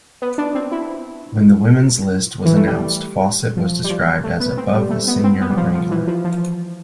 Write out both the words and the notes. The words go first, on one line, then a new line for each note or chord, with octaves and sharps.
When the women's list was announced Fawcett was described as "above the senior wrangler".
B3
D4
C4
E4
E3
A3
G3
F3
G3
F3
A3
B3
C4
G3
A3
B3
C4
B3
G3
F3
F3
E3
F3
F3